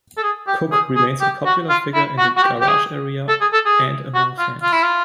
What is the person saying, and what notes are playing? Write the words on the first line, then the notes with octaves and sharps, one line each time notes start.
Cook remains a popular figure in the garage area and among fans.
A4
G#4
G4
G#4
G#4
G4
F#4
F4
E4
F#4
F#4
G4
G4
G#4
A4
G#4
A4
G#4
F#4
F4
F4
E4
F4